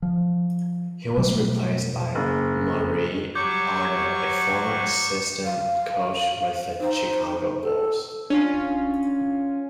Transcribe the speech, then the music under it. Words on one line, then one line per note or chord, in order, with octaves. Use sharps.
He was replaced by Murray Arnold, a former assistant coach with the Chicago Bulls.
F3
B2 F#3 G3 A3
F#1
F#3 G3 C#5 C#6 D6 G6
F5
D#4 C5
A4
C#4 D4 F4